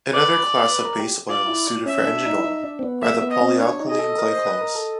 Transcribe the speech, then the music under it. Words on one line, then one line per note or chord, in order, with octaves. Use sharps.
Another class of base oils suited for engine oil are the polyalkylene glycols.
B4 D5
B4
A#4
G4
F4 D5
E4
C#4 E5
D4
D#4
E4
D#4
D4
C4
B3
A#3 E5
A#3
B3
D#5
C4
D4 C#5
D#4
G#4 D#5
A4
A#4
C5
B4
A#4
A4